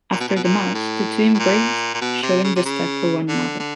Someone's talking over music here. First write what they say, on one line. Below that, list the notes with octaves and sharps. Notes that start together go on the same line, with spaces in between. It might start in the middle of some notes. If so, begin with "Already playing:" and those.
After the match the two embraced, showing respect for one another.
A#2
B2
A#2
B2
A#2
A2
A2
A#2
A#2
B2
C3
C#3
C3
C#3
D3
D3